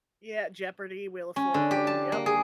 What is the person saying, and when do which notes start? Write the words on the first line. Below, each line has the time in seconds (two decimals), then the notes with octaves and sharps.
Yeah, Jeopardy, Wheel of Fortune, yup.
1.36 C#4
1.54 D3
1.71 G4
1.87 A5
2.12 A#3
2.26 G#4